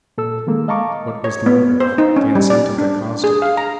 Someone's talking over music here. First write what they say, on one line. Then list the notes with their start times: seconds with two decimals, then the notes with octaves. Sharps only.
What was the motive, the incentive that caused it?
0.18 A#2 A4 E6
0.47 D#3 G#3 A#3
0.68 D#5 F5 A5 A#5 C#6 D6
1.24 C#5
1.46 B3
1.80 C5
1.98 D#4
2.16 C#4
2.35 G3
2.50 D5
2.78 D4
3.24 G#4
3.42 F5
3.57 A#5